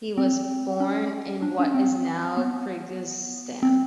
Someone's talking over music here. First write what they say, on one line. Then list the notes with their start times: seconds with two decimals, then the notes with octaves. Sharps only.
He was born in what is now Kyrgyzstan.
0.18 C4
0.80 C#4
1.42 D4
1.59 C#4
1.74 C4
2.37 B3
3.63 C4